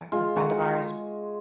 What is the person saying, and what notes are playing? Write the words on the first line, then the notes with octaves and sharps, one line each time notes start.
the friend of ours
G#3 F4
G#3 F#4